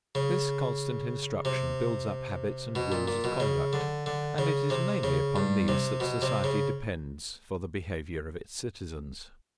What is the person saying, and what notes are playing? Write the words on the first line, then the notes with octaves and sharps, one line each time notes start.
This constant instruction builds up habits and rules of conduct, and it is mainly upon these that society depends for the behavior of its citizens.
C#3
C3
B2
A#2
A#2
B2
C#3
D3
D3
C#3
C3
C#3
G2
C3
B2
C3
C#3